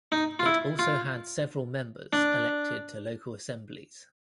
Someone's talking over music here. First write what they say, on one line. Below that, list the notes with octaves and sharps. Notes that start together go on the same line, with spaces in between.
It also had several members elected to local assemblies.
D#4
F4
E4
F4
D4